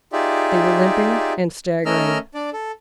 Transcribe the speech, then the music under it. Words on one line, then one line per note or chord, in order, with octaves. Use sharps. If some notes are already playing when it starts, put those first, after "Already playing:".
They were limping and staggering.
D#4 F4 G4 G#4 D5 E5
A3 C#4 A#4 D#5 E6 F6
D4 D5
A4